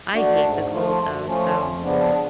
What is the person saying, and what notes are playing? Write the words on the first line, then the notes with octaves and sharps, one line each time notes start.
I hate the cold, though, so,
A3 D4 F#4
G#2
F3 A3 F4
F#2
F3 A3 C#4 F4
F2
C#3 F3 B3 D4